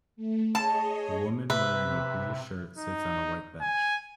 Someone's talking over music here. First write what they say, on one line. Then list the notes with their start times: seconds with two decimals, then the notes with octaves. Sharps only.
A woman wearing a blue shirt sits on a white bench.
0.16 A3
0.55 G#4 C#5 D#5 A5
1.50 C3 B4 E5
2.78 D#4
3.61 G#5